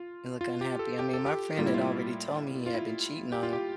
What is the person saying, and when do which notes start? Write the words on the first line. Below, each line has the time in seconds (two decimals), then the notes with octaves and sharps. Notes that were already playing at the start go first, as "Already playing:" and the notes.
You look unhappy." I mean my friend had already told me he had been cheating on her
Already playing: F4
0.41 F4
0.61 G4
0.79 A4
0.99 G4
1.13 A4
1.26 G4
1.57 A2 G3 A#3 F4
1.66 E4
1.74 F4
2.66 F4
2.74 E4
3.32 G4
3.43 F4
3.53 G4